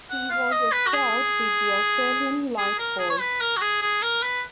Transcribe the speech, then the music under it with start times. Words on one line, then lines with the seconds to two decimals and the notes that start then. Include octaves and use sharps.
He was a scout with the Australian Light Horse.
0.11 F#5
0.30 F5
0.51 D#5
0.72 B4
0.87 F#4
0.93 G#4
2.58 G#4
2.79 A#4
2.99 G#4
3.10 C#5
3.20 B4
3.41 A#4
3.57 F#4
3.61 G#4
3.82 G#4
4.03 A#4
4.23 B4